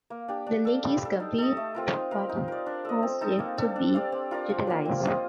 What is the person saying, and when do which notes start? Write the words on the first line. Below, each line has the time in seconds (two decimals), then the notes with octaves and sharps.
The link is complete but has yet to be utilized.
0.10 A#3
0.28 D4 G4
0.46 D4
0.65 A4 D5 F5
0.83 G3
1.01 D4 A4
1.20 D#4
1.38 A4 D#5
1.57 A3
1.75 C4 F4 A#4
1.93 D#4
2.11 A#4 F5
2.29 D#4
2.48 A#4 D5
2.66 D4
2.85 A4 D#5
3.03 C4
3.21 D#4 A4
3.39 A#3
3.57 D4 A4
3.76 D4
3.94 G4 D5 F5
4.12 C4
4.31 F4 A#4 D5
4.49 F3
4.67 A#3 D4
4.85 C4
5.04 F4 C5 D#5